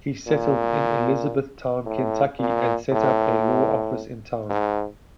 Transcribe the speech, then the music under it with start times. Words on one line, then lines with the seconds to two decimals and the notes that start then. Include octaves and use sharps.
He settled in Elizabethtown, Kentucky, and set up a law office in town.
0.27 A#2
1.86 A2
2.39 A#2
2.92 A2
4.50 G#2